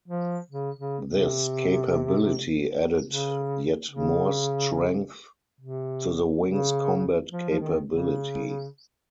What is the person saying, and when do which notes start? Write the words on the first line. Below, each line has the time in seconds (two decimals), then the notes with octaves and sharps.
This capability added yet more strength to the wing's combat capability.
0.08 F3
0.51 C#3
0.78 C#3
1.07 C3
3.06 C#3
3.90 C#3
5.61 C3
6.46 C#3
7.31 F3
7.50 F3
7.59 D#3
7.88 C#3